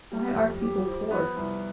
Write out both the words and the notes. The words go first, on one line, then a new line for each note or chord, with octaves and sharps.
Why are people poor?
G3
F2
G4
F3
B3
C2